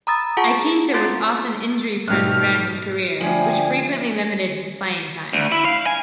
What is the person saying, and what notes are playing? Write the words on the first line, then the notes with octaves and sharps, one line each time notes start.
Iaquinta was often injury-prone throughout his career, which frequently limited his playing time.
A#5 B5 D#6 E6 A6
F4 G#4 F#5 A5 A#5 C#6
C4 F4 C6 A6 C7
G#2 B2 G3 A3 D#4 G4 F6 F#6
D2 F3 D5 E5 G5 G#5
D2
E4
F5
G#5